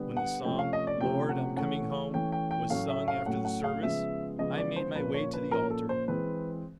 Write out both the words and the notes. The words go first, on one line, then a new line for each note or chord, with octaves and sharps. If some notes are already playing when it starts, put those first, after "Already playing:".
When the song, "Lord, I'm coming home," was sung after the service I made my way to the altar.
Already playing: D3 G3 B3
F#5
C3 F3 A3 C#4 G5
F5
D#5
D5
C3 F3 A3 C#4 G5
F#5
E3 A3 C#4 F#5
E3 A3 C#4 G5
G5
G5
A2 F#3 A3 C#4 F5
E5
F5
A2 F#3 A3 C#4 F#5
F#5
F5
C#3 F3 G#3 B3 E5
C#3 F3 G#3 B3 D#5
D5
C5
A#2 F3 A#3 C#4 B4
C#5
B4
A#2 F3 A#3 C#4 A#4
A4
C5
E3 G#3 C4 B4